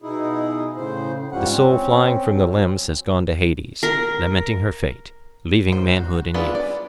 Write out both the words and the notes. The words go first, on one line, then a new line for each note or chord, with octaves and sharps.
'The soul flying from the limbs had gone to Hades, lamenting her fate, leaving manhood and youth.'
B2 D#4 E4 G#4
A2 C#3 C5
G#2 F3 G3 C#4 F#5
C4 C#4
F#3 C4
A#4
C5
F#4
B3 D4 E4 F4 G#4
D5